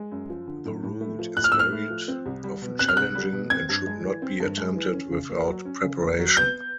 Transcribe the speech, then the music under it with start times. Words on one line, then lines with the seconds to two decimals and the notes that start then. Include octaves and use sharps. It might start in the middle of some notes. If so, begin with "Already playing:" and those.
The route is varied, often challenging and should not be attempted without preparation.
Already playing: G#3
0.12 F#2
0.30 F3
0.47 D3
0.65 A2
0.83 A2
1.01 A3
1.19 F3
1.37 A2 F#6
1.44 F6
1.52 A2 E6
1.59 F6
1.72 A3
1.90 F3
2.08 C4
2.26 C2
2.44 G3
2.62 B2
2.79 C4 F#6
2.89 F6
2.97 C2 F#6
3.15 G3
3.33 B2
3.50 C4 G#6
3.69 G2
3.87 G#3
4.05 E3
4.22 C4
4.40 G2
4.58 G#3
4.76 E3
4.93 C#4
5.11 C#3
5.29 A#3
5.48 F#3
5.65 C#4
5.83 C#3
6.01 A#3
6.19 F#3
6.37 B3 G6